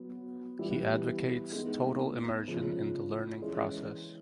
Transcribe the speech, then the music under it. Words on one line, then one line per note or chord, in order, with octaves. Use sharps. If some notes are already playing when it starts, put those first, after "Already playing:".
He advocates total immersion in the learning process.
Already playing: F#3 B3
E3 G3 B3 E4
G#3 B3 D#4
C#3 F3 G#3
E3 G#3 C#4